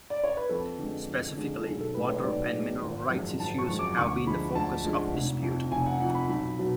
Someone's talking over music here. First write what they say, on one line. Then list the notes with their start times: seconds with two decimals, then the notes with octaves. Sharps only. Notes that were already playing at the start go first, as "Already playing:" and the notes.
Specifically, water and mineral rights issues have been the focus of dispute.
0.10 D5
0.24 C#5
0.37 B4
0.49 F2 A4
0.78 D3 G#3
1.08 F2
1.37 D3 G#3
1.60 A4
1.66 B1 G#4
1.81 A4
1.94 A2 G#3 B4
2.09 C#5
2.23 B1 D5
2.53 A2 G#3
2.82 G#1
3.10 F#2 F3 G#3
3.40 G#1 A5
3.58 C#6
3.68 F#2 F3 G#3
3.79 D6
3.97 D2 C#6
4.26 D3 F3 G#3 B5
4.55 D2 A5
4.84 D3 F3 G#3
5.14 F1
5.42 F2 F3
5.72 F1 G#5
5.86 F#5
6.00 F2 F3 F#5
6.15 B5
6.29 B1 B5
6.59 B2 F#3